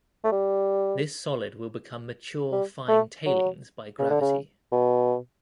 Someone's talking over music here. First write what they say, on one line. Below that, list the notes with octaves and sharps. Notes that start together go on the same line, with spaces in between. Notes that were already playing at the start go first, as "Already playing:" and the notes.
This solid will become mature fine tailings by gravity.
A3
G3
G3
A3
F#3
C#3
D3
C#3
B2